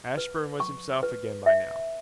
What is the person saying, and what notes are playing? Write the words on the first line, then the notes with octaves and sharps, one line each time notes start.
Ashburn was himself again by now.
B4
C#6
B4
E5